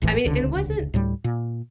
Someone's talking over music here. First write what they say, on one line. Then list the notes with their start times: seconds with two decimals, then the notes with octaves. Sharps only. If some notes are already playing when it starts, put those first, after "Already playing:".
I mean, it wasn't
0.02 D1 G#1 A2 E3
0.24 D#1 C#2 D3
0.94 D2 A2 G3
1.24 A#2